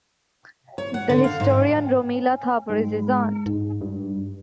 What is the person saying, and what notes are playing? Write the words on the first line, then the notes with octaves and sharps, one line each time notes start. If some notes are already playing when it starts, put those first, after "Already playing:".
The historian Romila Thapar is his aunt.
C#5
F#5
D3
F5
G#2
G#2
G#2
G2